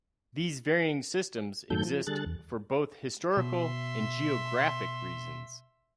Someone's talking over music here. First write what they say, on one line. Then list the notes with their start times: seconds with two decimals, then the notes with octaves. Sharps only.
These varying systems exist for both historical and geographic reasons.
1.70 F#2 A2 D#3 F#3 A4 G6
1.85 F3
2.07 D3 G3 G#4 A4 F#6 A6
2.26 E2
3.37 B2 E5 C6